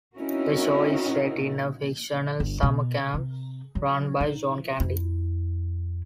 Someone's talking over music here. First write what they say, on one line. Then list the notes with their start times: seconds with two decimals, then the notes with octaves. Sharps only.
The show is set in a fictional summer camp run by John Candy.
0.16 C4 C#4 D#4 E4 F#4 A#4
2.40 G1
2.63 B2
3.14 C3
3.75 F#3
4.21 D#4
4.80 F2 E4